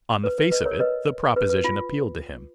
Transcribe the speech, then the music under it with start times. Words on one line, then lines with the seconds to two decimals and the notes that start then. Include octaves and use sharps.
On the face of it, the proposition appealed to him.
0.24 B4
0.38 B4
0.52 B4 D#5
0.65 A#4 C#5
0.80 B4 D#5
1.36 B4
1.49 B4
1.64 F4